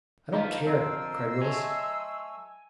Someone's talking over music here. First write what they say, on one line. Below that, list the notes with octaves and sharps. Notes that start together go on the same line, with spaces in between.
"I don't care!" cried Willis.
D3 F3 A#3 D#4 F4 B4
C4 F4 A#4 D#5 C6 E6
F#3 A3 G#5